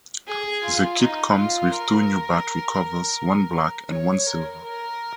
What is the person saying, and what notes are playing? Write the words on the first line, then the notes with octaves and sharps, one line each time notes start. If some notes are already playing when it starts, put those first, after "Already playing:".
The kit comes with two new battery covers, one black and one silver.
G#4
F4
D#4
F4
A#4
C#5
A#4
A#4